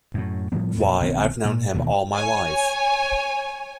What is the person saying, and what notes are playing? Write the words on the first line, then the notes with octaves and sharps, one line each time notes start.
Why, I've known him all my life.
F#2 A2
A2 F3 G3 B3
F2 A#2
B1 D#3 B3 C4
A#2
E1 D#2 B2 D#3
C#5 G#5